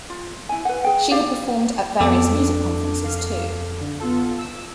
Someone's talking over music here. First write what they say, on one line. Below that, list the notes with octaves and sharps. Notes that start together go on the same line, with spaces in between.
She had performed at various music conferences too.
F4
E4 G#5
B4 F#5
G#4 G5
E4 G4 D5 F5
F2 B3 A4 D5 D6
D4
F5
D3
B3 F4 A4
E6